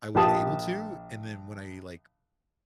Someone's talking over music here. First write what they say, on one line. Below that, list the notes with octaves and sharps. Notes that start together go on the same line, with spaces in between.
I was able to, and then when I, like,
A#1 G4 A5 D#6